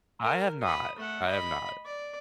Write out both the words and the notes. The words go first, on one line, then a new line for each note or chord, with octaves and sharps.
I have not. I have not.
A#4
B5 D#6
A3 F#5
D#5 B5
D5